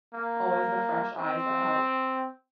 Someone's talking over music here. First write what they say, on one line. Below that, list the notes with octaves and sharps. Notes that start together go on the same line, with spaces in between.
always the fresh eyes that help.
A#3
C4